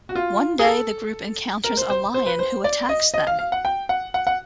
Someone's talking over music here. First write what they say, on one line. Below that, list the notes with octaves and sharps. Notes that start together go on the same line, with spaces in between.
One day the group encounters a lion who attacks them.
F#4
F4
G#4
A4
A#4
C5
C5
C5
B4
C5
D5
D#5
D#5
F5
F5
F#5
G5
F#5
F#5
F#5